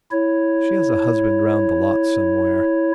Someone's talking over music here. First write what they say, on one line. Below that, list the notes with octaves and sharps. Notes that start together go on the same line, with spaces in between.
She has a husband round the lot somewhere.
E4 C#5